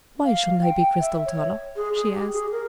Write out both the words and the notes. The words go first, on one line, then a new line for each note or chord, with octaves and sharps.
"Why shouldn't I be Cristel Toller?" she asked.
F5
G5
E5
C#5
G#4
G#4
G4
G#4
A#4